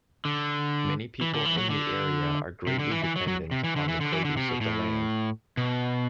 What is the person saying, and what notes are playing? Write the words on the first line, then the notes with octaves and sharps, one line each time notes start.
Many people in the area are greatly dependent on the produce of the land.
D3
E3
D3
E3
F#3
D3
C3
D3
E3
E3
F#3
F#3
C3
E3
D3
E3
D3
E3
D3
C3
B2
A2
B2